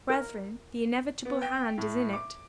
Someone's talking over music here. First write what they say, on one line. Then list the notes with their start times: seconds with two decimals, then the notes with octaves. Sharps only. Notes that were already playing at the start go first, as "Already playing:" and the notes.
Brethren, the inevitable hand is in it.
0.10 A#4
1.25 B3
1.42 G5
1.78 A2
2.13 D6